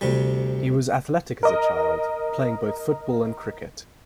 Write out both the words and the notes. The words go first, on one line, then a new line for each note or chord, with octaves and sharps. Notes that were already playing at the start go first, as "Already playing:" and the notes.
He was athletic as a child, playing both football and cricket.
D2 C3 G3
A#4 D#5